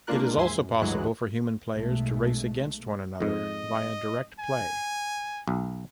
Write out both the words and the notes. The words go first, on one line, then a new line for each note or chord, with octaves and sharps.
It is also possible for human players to race against one another via DirectPlay.
G#3 A#3 D4 F4 A#4 F#6
D#2 G#2 E5 G#5 C6
F#2
D2 G2 E3 F#3 G#3 F#6
B1 G#3 A3
F2 G#2 D#5
G#5
B1